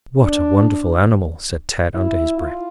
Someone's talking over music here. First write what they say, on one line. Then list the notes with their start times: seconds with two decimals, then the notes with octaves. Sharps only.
"What a wonderful animal!" said Tad under his breath.
0.22 D4
1.94 E4
2.38 F4